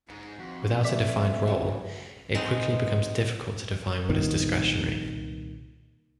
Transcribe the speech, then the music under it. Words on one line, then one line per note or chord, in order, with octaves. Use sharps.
Without a defined role, it quickly becomes difficult to define what is discretionary.
G#2 G#3
F2 F#4
A3 D5 B6
C#3 F#3 G3
G#3 B3 C4 D#4
C2 A#2 D#3 B3